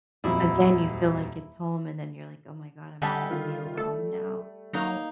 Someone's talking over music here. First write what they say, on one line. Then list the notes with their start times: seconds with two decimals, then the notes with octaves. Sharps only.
again, you feel like it's home, and then you're like, "Oh my god, am I gonna be alone now?"
0.24 D#1 F2 F#3 E4
3.02 D3 G3 D#5 E5 F#5 G#5 A5
3.30 D#3 F4
3.77 A3 A4
4.73 F#3 A#3 D#4 A#5